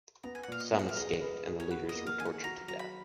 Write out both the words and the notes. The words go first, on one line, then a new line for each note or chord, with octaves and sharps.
Some escaped and the leaders were tortured to death.
B3 A#5
G#5
F#5
A#2 F5
D#5
B3
F#5
F5
G#4 D#5
B4
G#4
C#5
F#4 B4
D#5
A#3
F5
D#3 G#5
F#5
F#4 A#5
F#3 A#5
B5